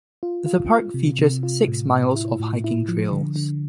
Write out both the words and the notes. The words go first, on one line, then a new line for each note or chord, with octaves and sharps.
The park features six miles of hiking trails.
F4
F4
F4
C3
C3
F4
A2
A2
E4
A2
E4
F3
D3
D3